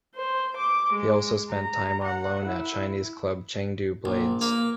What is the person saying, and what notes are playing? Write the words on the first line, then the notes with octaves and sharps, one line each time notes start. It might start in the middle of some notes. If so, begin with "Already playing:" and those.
He also spent time on loan at Chinese club Chengdu Blades.
C5
D6
G#3
A#5
F#5
E4
A#1
A#3